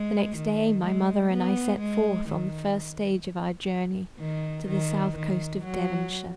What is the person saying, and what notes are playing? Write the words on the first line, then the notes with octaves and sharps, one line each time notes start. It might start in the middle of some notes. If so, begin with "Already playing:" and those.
The next day my mother and I set forth on the first stage of our journey to the south coast of Devonshire.
Already playing: G#3
D#3
G#3
B3
G#3
D#3
D#3
D#3
D#3
F#3